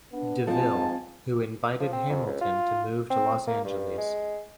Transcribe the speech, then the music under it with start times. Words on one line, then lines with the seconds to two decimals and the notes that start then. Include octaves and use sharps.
DeVille, who invited Hamilton to move to Los Angeles.
0.12 B3 D4
0.47 G#2 F3 C4 G#5 A5
1.80 F3
1.93 C4
2.10 F2
2.27 C#2
2.41 F4
3.10 C4
3.47 A#3
3.64 G2
3.98 G#3